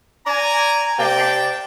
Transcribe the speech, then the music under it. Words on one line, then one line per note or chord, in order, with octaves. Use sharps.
but that
D5 G#5 A#5
C3 D5 G5 A5